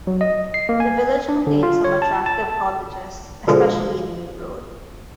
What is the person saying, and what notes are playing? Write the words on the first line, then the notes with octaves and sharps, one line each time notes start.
The village contains some attractive cottages especially in New Road.
F#3
D#5
C7
A#3
G#5
D4
D3
F4
C#5
A5
A5
B2 D3 F3 G#3